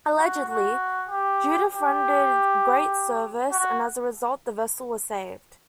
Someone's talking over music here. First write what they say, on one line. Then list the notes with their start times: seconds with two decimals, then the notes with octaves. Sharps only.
Allegedly, Judith rendered great service and as a result the vessel was saved.
0.18 F#4
0.49 F#4
1.09 G4
1.69 G4
3.51 F#4